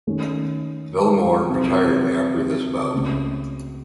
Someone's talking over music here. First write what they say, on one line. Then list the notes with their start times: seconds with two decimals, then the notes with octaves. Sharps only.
Villamor retired after this bout.
0.07 D#3 A3 C#4
1.49 C3 F#3 C4
2.93 C#2 C#3 A3